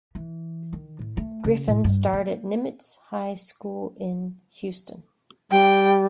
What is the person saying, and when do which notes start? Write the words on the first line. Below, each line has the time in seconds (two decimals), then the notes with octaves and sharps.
Griffin starred at Nimitz High School in Houston.
0.15 E3
0.73 D#3
0.99 A2
1.17 A3
1.44 C#3
1.68 A2
1.84 G2
2.13 A#3
5.51 G3 G5